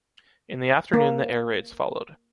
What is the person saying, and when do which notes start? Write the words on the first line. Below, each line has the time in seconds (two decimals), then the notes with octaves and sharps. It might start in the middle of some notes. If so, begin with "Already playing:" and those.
In the afternoon the air raids followed.
0.94 A#3